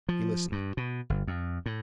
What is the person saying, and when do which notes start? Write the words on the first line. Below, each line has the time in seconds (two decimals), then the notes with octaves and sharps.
He listened.
0.09 F3
0.52 G2
0.77 B2
1.10 G1
1.27 F2
1.66 A2